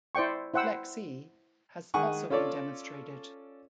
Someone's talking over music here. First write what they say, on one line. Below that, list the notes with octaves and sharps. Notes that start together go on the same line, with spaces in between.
FlexE has also been demonstrated.
E4 C5 D5 G5 C#6
E4 C5 F#5 G5 E6
D#3 G#3 F#5 G#5 C#6
C#4 F4 A4 C#5 D5